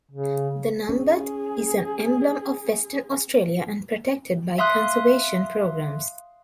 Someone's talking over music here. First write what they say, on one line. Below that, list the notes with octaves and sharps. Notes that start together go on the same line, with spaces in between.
The numbat is an emblem of Western Australia and protected by conservation programs.
C#3
C#4 G#4
E5 F5 C6 D#6 F#6